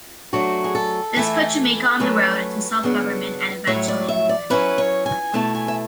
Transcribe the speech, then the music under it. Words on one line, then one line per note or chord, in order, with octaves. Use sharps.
This put Jamaica on the road to self government and eventually independence.
F#3 A3 D4 F#4
G#4
A4
E3 A3 E4
F#3 A3 C#4 B4
C#3 F#3 B3 D4
A2 F#3 A3 E4 C#5
D5
E5
D5
F#3 C#4 E4 B4
C#5
G#5
B2 A3 E4 A5
G#5
E5